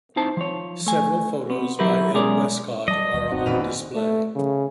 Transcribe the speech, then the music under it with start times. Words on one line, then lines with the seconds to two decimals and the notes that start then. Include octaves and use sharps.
Several photos by Ed Westcott are on display.
0.16 C4 D#4 E4 C5 A5
0.37 F3 C#5
0.86 A3 G#5
1.50 B3 C4
1.79 F#3 E4 G4 A#4 B4
2.14 B2 G#3 C#4 G#4 A#4 D5
2.88 F#3 G3 D5 D#5 A5
3.14 D2 D#3 G3
3.32 F1 G2 C4 D#4 F#4
3.46 A#1 A#2 D#3 C#4 B4 F7
3.95 A3
4.35 C#3